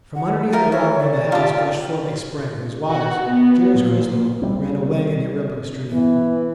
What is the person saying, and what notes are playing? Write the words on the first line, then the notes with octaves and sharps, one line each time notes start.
From underneath a rock near the house gushed forth a spring, whose waters, clear as crystal, ran away in a rippling stream.
F#5
F4 A#4 E5 G5
C#5 E5
D5
F4 G4
F#4
B3
A#2
G3 G#3 C4
E3 B3